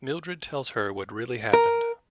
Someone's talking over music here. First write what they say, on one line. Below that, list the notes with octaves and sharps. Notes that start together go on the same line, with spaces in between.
Mildred tells her what really happened.
A#4